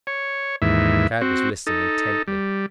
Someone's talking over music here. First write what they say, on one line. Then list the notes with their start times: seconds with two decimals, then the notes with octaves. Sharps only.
Tad was listening intently.
0.07 C#5
0.62 D#2 G#2 E3 E5
1.21 C4 F#4
1.67 D#4 A4
2.28 G3